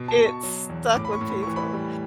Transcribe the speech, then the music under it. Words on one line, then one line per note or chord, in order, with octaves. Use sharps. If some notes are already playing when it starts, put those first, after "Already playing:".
It stuck with people.
Already playing: B2
A5
B2
C#6
F#3
E2
A2 D6
B5
C#6
A2
B5
E3 C#6
B5
G3